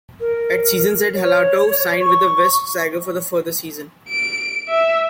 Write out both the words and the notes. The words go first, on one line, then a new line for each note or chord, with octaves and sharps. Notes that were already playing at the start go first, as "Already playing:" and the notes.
At season's end, Halatau signed with the Wests Tigers for a further season.
A#4
C#5
C#6
D7
E5